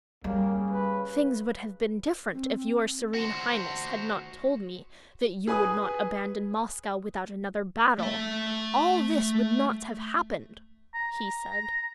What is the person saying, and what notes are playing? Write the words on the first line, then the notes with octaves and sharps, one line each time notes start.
"Things would have been different if your Serene Highness had not told me that you would not abandon Moscow without another battle; all this would not have happened," he said.
C#3 G3 A#3
B4
C4
F#4 C5
G#4 B4 G#5 D#6
A3 E5
A#5